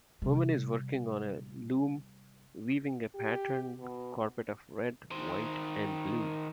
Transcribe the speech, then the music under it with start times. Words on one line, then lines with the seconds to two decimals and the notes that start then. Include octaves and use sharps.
Woman is working on a loom weaving a patterned carpet of red, white, and blue.
0.22 C3 G3
3.15 G4
3.79 B2
5.11 D#3 C5